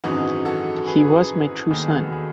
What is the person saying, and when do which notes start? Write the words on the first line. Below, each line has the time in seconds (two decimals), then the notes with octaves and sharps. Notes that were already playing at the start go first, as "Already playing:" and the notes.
He was my true son.
0.04 G#1 F#2 E3 D#4 F#4
0.45 F#4 A4
0.87 G#4 B4
1.70 E1 D#2 D#3 G#4 B4
1.90 F#4 A4
2.12 G#4 B4